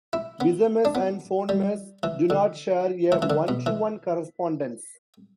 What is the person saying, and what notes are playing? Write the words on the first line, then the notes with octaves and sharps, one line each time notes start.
Visemes and phonemes do not share a one-to-one correspondence.
E4
B3
D4
B3
G3
E3
D3
E3
E3
D3
B2
E3